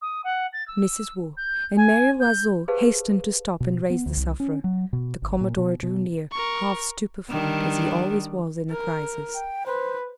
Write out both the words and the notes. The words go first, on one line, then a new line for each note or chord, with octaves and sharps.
Mrs. Waugh and Mary L'Oiseau hastened to stoop and raise the sufferer. The commodore drew near, half stupefied, as he always was in a crisis.
D#6
F#5
A6
E6
G6
G#5
G6
G4 G#4 B4 C5 F5 A5
B2
B3
D2
C2
C#4
F#3
B2
G#1
A#2
B2
B2
A#4 C#6
D#3 G3 D4
A#4
G5
B4 C5